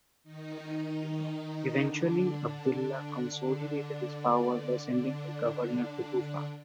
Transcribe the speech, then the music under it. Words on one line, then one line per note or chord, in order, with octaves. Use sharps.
Eventually Abdullah consolidated his power by sending a governor to Kufa.
D#3 D#4
D3 D4
D3 D4
D3 D4